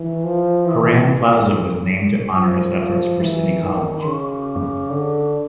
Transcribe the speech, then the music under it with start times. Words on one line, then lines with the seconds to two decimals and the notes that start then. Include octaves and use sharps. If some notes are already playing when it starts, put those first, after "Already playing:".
Curran Plaza was named to honor his efforts for City College.
Already playing: E3
0.24 F3
0.66 E3
2.36 F3
2.78 F3
3.20 E3
3.63 D#3
4.04 C#3
4.90 D3